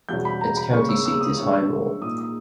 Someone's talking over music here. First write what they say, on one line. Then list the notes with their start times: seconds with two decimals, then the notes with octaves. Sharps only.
Its county seat is Highmore.
0.09 E2 B2 G3 C#4 G6
0.25 B5
0.41 A#5
0.57 B5
0.73 C#3 G3 A#3 C#4 C#6
0.89 E6
1.06 E6
1.21 D#6
1.37 G2 E3 G#3 C#4 C#6
2.02 A#2 A#3 D#4 D#6
2.18 D#6